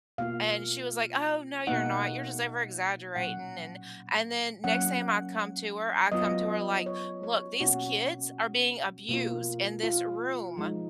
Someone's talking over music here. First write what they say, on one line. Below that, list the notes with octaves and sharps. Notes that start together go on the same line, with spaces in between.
and she was like, "Oh no, you're not, you're just over exaggerating, and" and then next time I come to her, I come to her like, "Look, these kids are being abused in this room,
B2 A#3 F4 F5
B2 A#3 D#4 F#5
A#2 F#3 C#4 F#5
F#3 A#3 C#4 F#5
F#3 B3 F4 D#5
C#5
C#5
B2 A#3 C#4 F#4
B2 A#3 F4
F4
F3 G#3 D#4